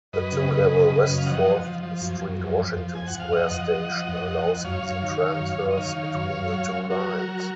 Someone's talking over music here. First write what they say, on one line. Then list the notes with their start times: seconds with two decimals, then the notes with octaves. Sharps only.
The two-level West Fourth Street-Washington Square station allows easy transfers between the two lines.
0.13 F#2 B4 D#5
0.32 C#3
0.51 F#2
0.69 C#3
0.89 C#3
1.07 F#2
1.18 F5
1.26 F3 D#5 F#5
1.45 F3
1.64 F3
1.83 F3
2.01 F#2
2.20 F#2
2.39 F2
2.58 F2
2.77 F3
2.95 F2 G#5
3.07 F#5
3.14 F2
3.20 F5
3.32 F2 D#5 F#5
3.52 F3
3.71 F3
3.90 F3
4.09 F2
4.27 F3
4.46 F2
4.64 F#2 C#5 F5
4.83 F#2
5.02 D#3
5.21 D#3
5.40 F#2
5.58 F#2
5.71 D#5
5.77 D#3 C#5 F5
5.96 D#3
6.15 F#2
6.34 F#2
6.52 F#3
6.72 F#3
6.90 F#3 F#4 A#4
7.09 F#3
7.28 F#3